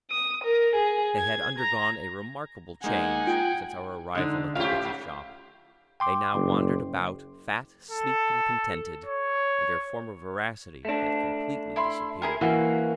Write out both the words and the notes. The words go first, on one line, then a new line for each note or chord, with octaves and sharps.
They had undergone a remarkable change since our arrival at the Butcher's Shop; they now wandered about, fat, sleek, and contented, and their former voracity had completely disappeared.
D#6
A#4
G#4
G#6
A#5
G#3 A#3 D#4 F#5 G#5
F4 G5
D3 G#3 D#4
G#2 F3 C#4 F4 G4 F5
G5 C6 D6
F#1
A4
C#5
A3 D4
E4 B5 C6
E4 G#4 A#4
E3 A#3 C#4 F#4